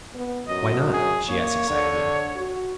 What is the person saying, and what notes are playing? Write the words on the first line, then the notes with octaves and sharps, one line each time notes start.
"Why not?" she asked excitedly.
B3
F#2 D#5
G#4
A#3 C#5
D3
F#4